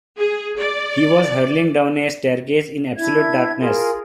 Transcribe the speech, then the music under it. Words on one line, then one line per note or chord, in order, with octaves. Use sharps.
He was hurling down a staircase in absolute darkness.
G#4
D5
D4 E4 E5 G#6
F4 G#4 A#4